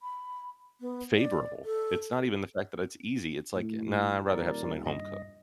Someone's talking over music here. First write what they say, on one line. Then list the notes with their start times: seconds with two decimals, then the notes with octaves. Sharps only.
favorable. It's not even the fact that it's easy. It's like, "Nah, I'd rather have something home cooked."
0.01 B5
0.81 B3
1.16 D5
1.65 A4
3.56 A2
4.27 D#1 A#4 D5
4.86 G2 D#5